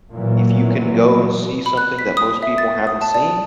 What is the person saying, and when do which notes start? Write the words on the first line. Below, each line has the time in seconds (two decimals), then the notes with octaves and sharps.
if you can go and see something that most people haven't seen
0.12 A#2 E3 F#3
1.66 B5
1.77 F#6
1.99 B6
2.17 D#6
2.43 E5
2.58 A6
2.87 D#6
3.01 A5
3.15 D5